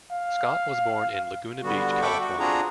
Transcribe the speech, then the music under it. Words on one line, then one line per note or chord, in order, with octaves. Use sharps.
Scott was born in Laguna Beach, California.
F5
D3 G3 B3 F#4
A4 E5 G5 B5 C#6 D6
F#4
C4 D4 F4 F#4 G#4 A#5